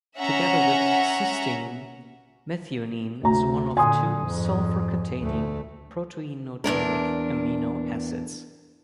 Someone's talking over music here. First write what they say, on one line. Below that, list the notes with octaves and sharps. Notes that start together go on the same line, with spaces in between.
Together with cysteine, methionine is one of two sulfur-containing proteinogenic amino acids.
C#4 E5 F#5 A#5
D2 C3 A#5
A#2 D3 G#5 C6 D#6
F2 G#2
D2 A3
E2 G2 D4 A#4